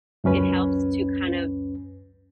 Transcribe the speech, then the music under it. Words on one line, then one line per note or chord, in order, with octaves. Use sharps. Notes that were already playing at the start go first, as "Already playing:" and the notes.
it helps to kind of
C#2 F#2 C#4 B4